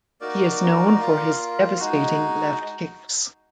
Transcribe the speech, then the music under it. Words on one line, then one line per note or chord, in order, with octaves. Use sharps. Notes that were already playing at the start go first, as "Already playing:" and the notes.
He is known for his devastating left kicks.
A#3 D#4 F#4 A#4 D5
A#3 F4
G#3 D#4 F#4